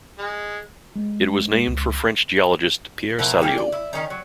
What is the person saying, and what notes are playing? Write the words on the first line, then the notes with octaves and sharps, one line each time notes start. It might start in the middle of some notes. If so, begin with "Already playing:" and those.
It was named for French geologist Pierre Saliot.
G#3
G#3
C#2
B2 F3 E4 A#4
G3 A#3 G#4
D5
E4
D#3 G3 C#4 D#4
F#3